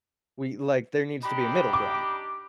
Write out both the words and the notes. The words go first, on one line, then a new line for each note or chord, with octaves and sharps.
We like, there needs to be a middle ground
D4 D#4 G4 B5
D6